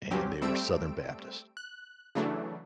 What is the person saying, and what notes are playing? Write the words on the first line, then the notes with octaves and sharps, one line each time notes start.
and they were Southern Baptists.
G2 F#3 C4 C#4 G4
G3 A3 C4 E6 D7
F#6
C#3 E3 F#3 A3 D4